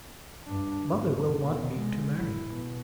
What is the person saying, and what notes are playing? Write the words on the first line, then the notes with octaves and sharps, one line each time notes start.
'Mother will want me to marry.'
G2 D4
E2 G#2
B2 D#3
G#3
A1 E4
B2